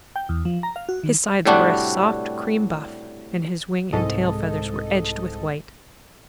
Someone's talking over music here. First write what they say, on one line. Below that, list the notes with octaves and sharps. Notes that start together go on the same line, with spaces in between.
His sides were a soft cream-buff, and his wing and tail feathers were edged with white.
G5
E2
F3
A#5
F5
F#4
D#3
A2 C3 G3 D4 F#4
C2 G#2 A4 D#5